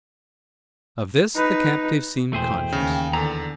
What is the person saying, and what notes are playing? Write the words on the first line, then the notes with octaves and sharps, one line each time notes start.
Of this the captive seemed conscious.
D#4 B4
E2 B2 A3 G#4 C5 G5
D#2 C#3
E2 D3 A4 A#5